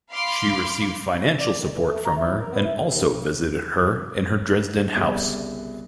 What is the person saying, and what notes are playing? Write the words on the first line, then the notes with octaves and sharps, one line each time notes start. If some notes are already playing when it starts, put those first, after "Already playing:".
She received financial support from her and also visited her in her Dresden house.
F5 B5 C6 D6
D5
D#3
E3
A3
A#5
E4
A#4
B3
E4
D#2
D#2
G1 C2 C#3